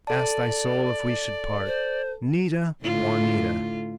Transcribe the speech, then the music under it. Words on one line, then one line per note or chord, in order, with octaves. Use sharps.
Ask thy soul if we should part, 'Nita, Juanita!
A4 D5 A5
C5
A2 D3 F4